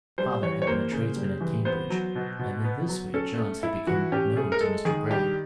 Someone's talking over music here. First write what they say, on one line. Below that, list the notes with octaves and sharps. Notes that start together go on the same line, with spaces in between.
His father had been a tradesman at Cambridge, and in this way Jones had become known to Mr. Grey.
G3 C5
E3 C#5
C#5
A#3 C5
C#3
G3
E3
B3 C5
F#3
B2
B2
B3
F#3
C#4 A4
A3
E4
E3 F#4
C#4 G4
A3 G#4
A#4
G#3 A4
D#3 G#4
G2 G4